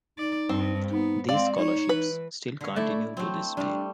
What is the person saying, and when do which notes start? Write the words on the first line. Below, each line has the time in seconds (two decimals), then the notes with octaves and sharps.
These scholarships still continue to this day.
0.18 D#4 D5
0.49 G2 C4
0.91 B3 D#4
1.29 G#3 C4 D5 F5
1.58 D#4 C#5
1.89 E3 B4
2.61 D3 C#5
2.76 A3 E4 D5
3.17 F#3 A3 C4
3.57 G3 A3 D4